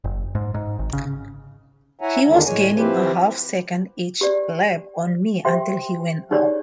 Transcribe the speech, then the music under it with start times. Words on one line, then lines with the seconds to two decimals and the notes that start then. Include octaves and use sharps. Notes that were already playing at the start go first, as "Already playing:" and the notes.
He was gaining a half-second each lap on me until he went out.
0.04 F#1
0.35 G#2
0.54 G#2
0.79 G#1
0.93 C#3
2.01 E4 C#5 E5 F#5 G#5 A#5
2.27 E2 D3 D#3 G#3 D4
2.45 A2 G#3 C#5 G#5
2.76 F3 C4 E4 G4 B4 C5
4.21 G4 D5
5.45 G4 C5 E5 G5 C6
6.31 D#4 G4 G#4 C#5 D5